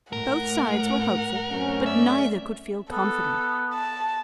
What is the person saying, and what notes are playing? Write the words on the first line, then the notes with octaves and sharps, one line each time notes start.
Both sides were hopeful, but neither could feel confident.
A2 A#4 F#5
F#2 A3 C4 C#4
D5 E5
B3 A4
A5